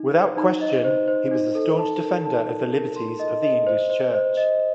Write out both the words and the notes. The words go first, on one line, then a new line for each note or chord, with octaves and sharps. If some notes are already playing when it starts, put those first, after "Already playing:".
Without question he was a staunch defender of the liberties of the English church.
Already playing: D#4
C5
D#4
D#5
C5
C5
D#4
A4
A5
A#4
A5
A#4
A#4
C6
D#5
D#5
C5
C5
C5
D#5